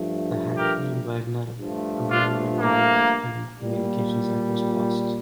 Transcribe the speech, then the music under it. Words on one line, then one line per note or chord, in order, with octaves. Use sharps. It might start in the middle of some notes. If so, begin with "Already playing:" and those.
The Hatfield-Wagner amendment died and the Communications Act was passed.
Already playing: G2 F3 A3
G4 A#4
G2 F3 A3
D4 F4
A#3
A#2 G3